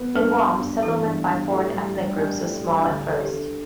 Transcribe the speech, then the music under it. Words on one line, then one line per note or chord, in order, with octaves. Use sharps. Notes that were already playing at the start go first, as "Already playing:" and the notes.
In Guam, settlement by foreign ethnic groups was small at first.
Already playing: B3
G2 B4
G2
G2
E3 A4
G2
G2
A2 G4
G3 E4
G4
G3 E4
G3 D4
A2
G3
D4
D2 E4
A3
G4
D3